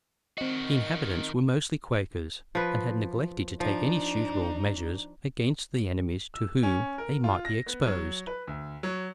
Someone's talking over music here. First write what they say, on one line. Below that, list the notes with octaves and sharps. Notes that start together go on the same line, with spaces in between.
The inhabitants were mostly Quakers, and had neglected to take any suitable measures against the enemies to whom they might be exposed.
D#3 C4 F#4 D#5
F3 B4
F3 D4 D#4
E6
C#4
A#4
F4
A#6
B3
F#3
B4
D2
F#3